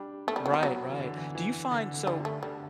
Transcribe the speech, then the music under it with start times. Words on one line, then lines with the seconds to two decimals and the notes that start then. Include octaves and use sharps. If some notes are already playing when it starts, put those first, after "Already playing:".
Right, right. Do you find so,
Already playing: G3 D4 G4
0.27 A3 B3
0.36 G3 C4
0.46 F#3
0.51 G3 B3
0.63 F#3 B3
0.90 E3
0.99 D3
1.17 E3
1.35 E3
1.71 D3
1.94 D3
2.07 D3 G3
2.25 A3
2.43 D3 G3